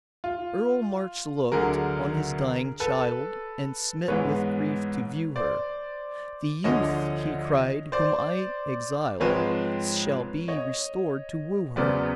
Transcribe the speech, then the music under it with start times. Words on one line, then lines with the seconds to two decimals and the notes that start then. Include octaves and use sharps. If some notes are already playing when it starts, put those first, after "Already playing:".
Earl March look'd on his dying child, And smit with grief to view her-- The youth, he cried, whom I exiled Shall be restored to woo her.
0.24 F4
1.52 D2 D3 F#3 G#4 A#4
2.80 A4 B4
4.08 G#2 E3 G#3 B3 B4 C#5
5.36 C5 D5
6.64 D2 D3 F3 C#5 D#5
7.92 C5 D5
9.20 G#2 F3 G#3 C4 B4 C#5
10.48 C#5 D#5
11.76 E2 C#3 F#3 B3 C5 D5